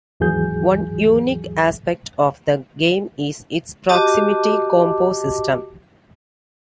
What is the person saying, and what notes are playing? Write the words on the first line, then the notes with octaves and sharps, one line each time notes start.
One unique aspect of the game is its proximity combo system.
D#2 G#2 E3 F#3 G#4 G6
F#4 G4 D#5 A5 D6